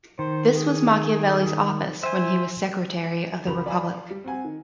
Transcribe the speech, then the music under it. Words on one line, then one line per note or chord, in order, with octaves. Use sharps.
This was Machiavelli's office when he was Secretary of the Republic.
D#3 C5
G#4
C5 E5 G#5
C#2 F#4 A#4 B5 F7
D5 F5 G#5 B5
G3
C4 F#5 G#5
D#3